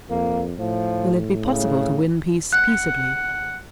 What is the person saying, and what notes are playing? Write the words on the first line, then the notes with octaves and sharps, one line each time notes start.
Will it be possible to win peace peaceably?
F2 A#3
A2 F3
C#3
F#5 F#6